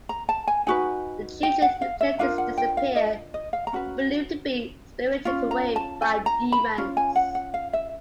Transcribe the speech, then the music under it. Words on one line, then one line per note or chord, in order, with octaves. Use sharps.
The children who play this disappear, believed to be spirited away by demons.
A#5
A5
G#5
D#4 F#4 B4 G#5
G5
F#5
F5
E5
D4 F4 A#4 F5
F#5
G5
F5
D#5
D#5
F5
A#5
C#4 F#4 B4
C#4 F4
A#5
A5
G#5
A#5
B5
C#4 F4
G#5
F#5
F#5
F5
E5